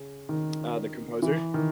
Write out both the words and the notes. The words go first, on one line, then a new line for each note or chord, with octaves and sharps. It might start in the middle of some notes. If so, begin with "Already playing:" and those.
uh, the composer.
Already playing: C#3
D#3
E3
D#3